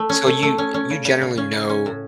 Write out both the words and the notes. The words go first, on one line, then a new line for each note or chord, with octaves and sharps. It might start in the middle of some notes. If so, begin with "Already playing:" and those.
So, you y you generally know
Already playing: A3
C#4
A3
A3
C#4
C#4
C#3
C#3
C#3
C#4
C#3
C#4
A2